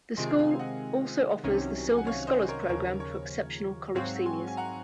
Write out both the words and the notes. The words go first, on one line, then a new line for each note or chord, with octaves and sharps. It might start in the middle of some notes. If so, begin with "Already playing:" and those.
The School also offers the Silver Scholars Program for exceptional college seniors.
C3 D#3 G#3 C4 F4 G#5 C6
F5 G#5
D#5 F#5
C2 C3 D#3 F#3 C#4
G#5
F#5
C#5 F5
C5 D#5
A#4 C#5
D#2 C#3 F3 A#4 C#5
A#4 C#5
G#2 F#3 C4 F#4 C#5 F5
G#5 C6
G#5
F#5 A#5